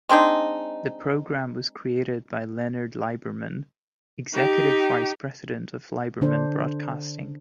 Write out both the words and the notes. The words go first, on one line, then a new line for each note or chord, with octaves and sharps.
The program was created by Lenard Liberman, executive vice president of Liberman Broadcasting.
G#3 C4 D4 D#4
D#4 G4
D3 D4 C5